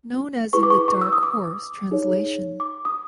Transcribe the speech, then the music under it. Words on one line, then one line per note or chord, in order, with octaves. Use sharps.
Known as in the Dark Horse translation.
E4 G#4 B4 C#6
D6
C#6
C#6
E6
D#6
D6
D#4 G#4 C#5
D6
D#6